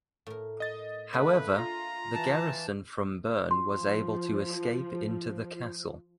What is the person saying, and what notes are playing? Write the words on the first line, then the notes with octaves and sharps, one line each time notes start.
However, the garrison from Bern was able to escape into the castle.
A2 A#4
D#5 A6
A3 A#3 D4 B4
F4 A#5
E3 A5
F3 C6